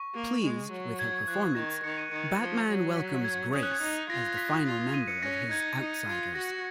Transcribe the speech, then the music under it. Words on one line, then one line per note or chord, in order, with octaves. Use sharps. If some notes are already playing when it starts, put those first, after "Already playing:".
Pleased with her performance, Batman welcomes Grace as the final member of his Outsiders.
Already playing: C#6
A#3
G#3
F#3
G#6
G#6
F3 F#6
D#3 A#6
D#3 C#7
D#7
D#3 C#7
F3 C#7
F#3
B6
G#6
C#4 D#6
F#6
G#6
D#4
F4 A#6
B6
F4
D#7
C#7
C#4 A#6
D#4 G#6
D#4
F4
F#4 A#6